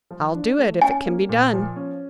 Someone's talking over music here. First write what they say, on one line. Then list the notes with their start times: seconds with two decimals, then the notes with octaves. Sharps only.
"I'll do it--if it can be done."
0.11 F3
0.34 D4
0.58 A3
0.81 C#4 G#5
1.05 A#3
1.29 A#2
1.53 F3
1.76 C#4